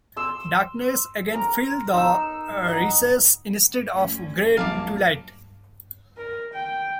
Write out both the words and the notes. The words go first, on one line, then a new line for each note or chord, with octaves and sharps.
Darkness again filled the recess instead of the grey twilight.
C6 E6
A#4 A#5
D#4 E6
D#5 F#5 A#5
D2 C#4
A#1 F#2 F#3 G3 A#3 F5 A5 D6
A#4
G5